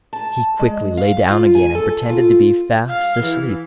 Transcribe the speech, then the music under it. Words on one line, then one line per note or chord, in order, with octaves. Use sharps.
He quickly lay down again and pretended to be fast asleep.
A5
G#3
F5
F4
G#5
A4
F4
F5
E3